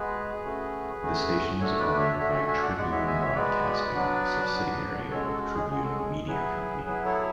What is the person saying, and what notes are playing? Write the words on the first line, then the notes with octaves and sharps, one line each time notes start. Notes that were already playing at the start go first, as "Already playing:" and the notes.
The station is owned by Tribune Broadcasting, a subsidiary of Tribune Media Company.
Already playing: G#3 B3 F#4 G#4 B4
A3 C#4 F#4
A3 C#4 F#4
A3 D4 F#4 A4 C#5
B4 D5
C#5 E5
A3 D4 F#4 C#5 E5
E5 G#5
E5 G#5
D5 F#5
G#3 B3 F#4 D5 F#5
C#5 E5
E5 G#5
C#5 E5
G#3 B3 F#4 B4 D5
F#3 B3 D4 F#4
F#3 B3 D4 F#4
G#3 C#4 F#4 A4 C#5
F#4 A4
F#4
G#4
G#3 C#4 F#4 G#4
F#4 A4
G#4
F#3 B3 E4 G#4 B4
F#3 B3 E4 G#4 B4
A4 C#5